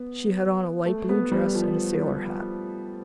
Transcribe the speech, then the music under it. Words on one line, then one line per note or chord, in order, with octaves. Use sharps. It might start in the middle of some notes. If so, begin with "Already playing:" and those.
"She had on a light-blue dress and a sailor hat."
Already playing: B3
A3
B3
G3
F3